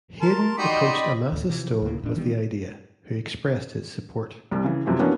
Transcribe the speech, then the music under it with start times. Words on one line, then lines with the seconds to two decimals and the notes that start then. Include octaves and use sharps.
Haydn approached Amasa Stone with the idea, who expressed his support.
0.21 A#4 A5 C6
0.58 D#4 F#4 G4 D5 D#5 G5 B5 C6
1.32 D2 A2
1.49 C3 E3 F3
1.82 D2 A2 C#3 A#3
2.02 F1 A2 A3 D4
2.16 D#3 E3 G3 B3
4.51 C2 G3
4.64 C#3 E3
4.86 F#2 C3 E3 F3 G3
4.99 E3 F#3 A#3 B3 C#4 D4